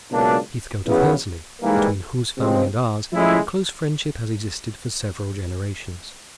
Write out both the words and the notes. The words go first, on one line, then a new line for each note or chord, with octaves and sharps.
Heathcote of Hursley, between whose family and ours a close friendship has existed for several generations.
C#2 B2 F#3 A#3 D4
E2 C#3 F#3 B3
G#2 E3 G3 A#3
C#2 C3 F3 G#3 C4
A2 F3 G#3 C#4 E4